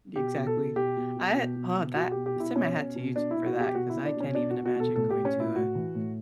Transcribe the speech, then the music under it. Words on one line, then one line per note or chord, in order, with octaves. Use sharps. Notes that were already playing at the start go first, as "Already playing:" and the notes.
Exactly. I uh, oh, that. I send my hat to you t for that 'cause I can't even imagine going to a
B2 G4
B2
A4
B2
B2 G4
B2
B2
B2
B2
B2
B2 F#4
B2 G4
G4
B2 E4
B2 C#4
B2
B2
B2 D4
B2 E4
F#4
B2 G4
B2 F#4
E4
B2
D4
B2 C#4
B2 D4
B2 F#4
F#4
B2 A4
A2 A4
A2 G4
C#4
A2
E4
A2 F#4
E3
A2